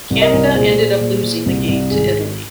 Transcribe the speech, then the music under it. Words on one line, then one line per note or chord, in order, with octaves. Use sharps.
Canada ended up losing the game to Italy.
C2
A#4 D#5
C2
A#2 G#4 C5
A#2
A#2
A#2
C2
C2
G#1 G#4